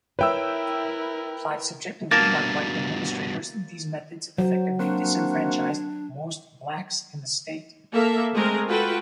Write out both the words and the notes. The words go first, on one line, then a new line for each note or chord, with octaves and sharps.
Applied subjectively by white administrators, these methods effectively disenfranchised most blacks in the state.
E4 A#4 B4 C#5 E5 G5 E6
G2 B2 A#3 A#4 A5 A6
F#3 C5
A#3 C4 D4 F#4
A#3 A4 E5
G#3 A3 C4 G#4 A#4
F4 F#4 A4 B4 G5